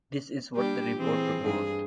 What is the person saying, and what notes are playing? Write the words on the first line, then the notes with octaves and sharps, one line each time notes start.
This is what the report proposed.
G3 D4 G4
E3 C4 G#4
G2 G#4